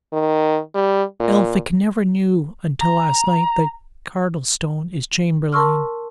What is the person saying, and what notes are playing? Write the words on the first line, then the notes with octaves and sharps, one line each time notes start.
Elphick never knew until last night that Cardlestone is Chamberlayne.
D#3
G3
A#2
A#5
A#4 A5 C6 C#6 E6 F6